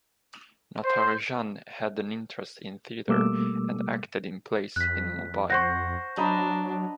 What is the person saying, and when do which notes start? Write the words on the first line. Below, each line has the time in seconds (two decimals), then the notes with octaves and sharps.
Natarajan had an interest in theatre and acted in plays in Mumbai.
0.83 C5
3.08 B2 G3 A3 A#3 D6 E6
4.76 F2 F#6 B6
5.50 C5 F#5 C#6 A#6
6.17 F#3 D4 D#5 A#5 B5